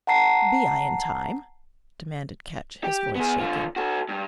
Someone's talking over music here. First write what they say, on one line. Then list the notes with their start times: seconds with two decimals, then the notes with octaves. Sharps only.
"Be I in time?" demanded Ketch, his voice shaking.
0.07 F#5 A5 A#5 C7
2.84 G4
3.16 B3 G#4
3.40 D3 F4
3.76 F#4 A4
4.09 G2